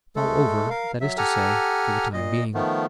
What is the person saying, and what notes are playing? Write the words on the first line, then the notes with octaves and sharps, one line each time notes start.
All over, that is to say, for the time being.
G#3 A3 A4
A#4 F5
F#3 E5
G4 A4 F#5 G#5 A#5 F6
A#2 D#5
D#3 F3 A3 B3